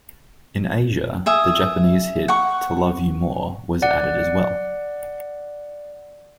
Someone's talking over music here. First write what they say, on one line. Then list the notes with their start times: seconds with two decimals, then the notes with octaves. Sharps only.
In Asia, the Japanese hit "To Love You More" was added as well.
1.26 G#4 E5 D#6
2.28 F#5 C#6
3.82 D5 F#5